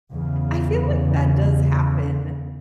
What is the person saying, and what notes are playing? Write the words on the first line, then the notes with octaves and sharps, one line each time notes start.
I feel like that does happen
E2 C#3